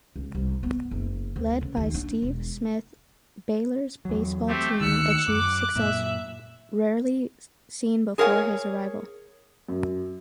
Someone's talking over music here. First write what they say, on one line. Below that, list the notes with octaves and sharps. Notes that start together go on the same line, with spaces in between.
Led by Steve Smith, Baylor's baseball team achieved success rarely seen before his arrival.
C#2
C2
B3
F#1
D2
C#3
D#2
D4
E1
E2 F#3
A3 C4 G4
D2 D#3 E6 F#6 C#7
F#2 D6
F#2 A#2 E5
G#4 A#4 C#5 F#5 G#5
F#2